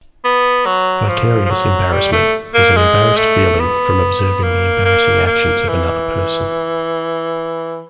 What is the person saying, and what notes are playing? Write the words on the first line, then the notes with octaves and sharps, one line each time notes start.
Vicarious embarrassment is an embarrassed feeling from observing the embarrassing actions of another person.
B3
F#3
F3
F3
F#3
G3
A3
A#3
G#3
A3
B3
A#3
A#3
A#3
E3